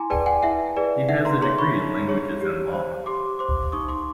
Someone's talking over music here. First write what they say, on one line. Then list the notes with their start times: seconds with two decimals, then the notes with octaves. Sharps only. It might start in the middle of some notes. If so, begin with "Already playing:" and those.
He has a degree in Languages and Law.
Already playing: E4 G#5 A#5 C6 D6
0.10 G#4 B4 D5 G5 A5
0.26 F#5 G#5
0.43 E4 E5 F#5
0.76 G#4 B4 D5
1.09 D#4 E5 F#5
1.25 A#5 C6
1.41 G#4 C#5 A#5 C6
1.59 B5 C#6
1.75 D#4
2.08 G#4 C#5
2.41 G4
2.73 C5
3.06 G4 C6 D6
3.39 C5 C6 D6
3.72 D#4 C#6 D#6
3.88 C6 D6